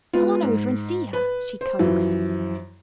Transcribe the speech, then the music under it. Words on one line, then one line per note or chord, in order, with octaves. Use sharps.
"Come on over and see her," she coaxed.
G#3 B3 F4
G#2
B4
C5
F#2 E3 F3